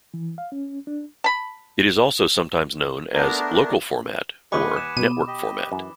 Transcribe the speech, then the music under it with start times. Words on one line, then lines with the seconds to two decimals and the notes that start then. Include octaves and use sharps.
It is also sometimes known as "local format" or "network format".
0.14 E3
0.38 F5
0.52 C#4
0.87 D4
1.24 A5 B5
3.14 A3 B3 D4 A#4
4.52 D#2 G3 B4 F#5 G#5 B5 D6 D#6
4.77 E7
4.97 B2 D#7
5.27 G4 D#5
5.72 F#2 E3